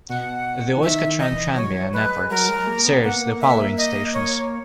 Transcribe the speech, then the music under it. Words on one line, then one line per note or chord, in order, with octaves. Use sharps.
The Euskotren Tranbia networks serves the following stations.
B2 F#5
E3
D#3 E5
E3 D#5
F#3 C#5
G#3 B4
F#3 A#4
G#3
A#3
B3
A#3 F#5
E5
D#5
C#5